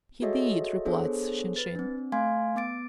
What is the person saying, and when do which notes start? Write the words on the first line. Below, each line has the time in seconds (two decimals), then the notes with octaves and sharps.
"He did," replied Shinshin.
0.22 F#4 G#4 A4 C#5 D#5 E5
0.85 B3 D4 G#4 A4 C5 C#5
1.56 B4 A6
1.75 C4 D4
2.12 A3 F5 G#5 C6 G#6
2.56 B3 D6 A6 D7